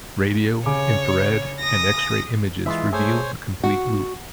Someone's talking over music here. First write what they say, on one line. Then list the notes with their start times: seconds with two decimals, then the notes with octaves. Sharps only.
Radio, infrared, and X-ray images reveal the complete loop.
0.66 C#3 C#5 D6
1.60 D#6 A#6
2.66 E3 G#3 F4 E5
2.93 A3 G#4 C5 C#5 G#5
3.64 F#4